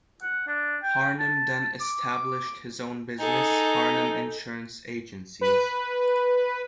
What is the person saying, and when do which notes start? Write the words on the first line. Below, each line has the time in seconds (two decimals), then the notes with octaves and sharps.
Harnum then established his own business Harnum Insurance Agencies.
0.23 F#5
0.47 D4
0.83 G5
1.19 A5
1.81 D6
3.20 D#4 G#4 A4
5.41 B4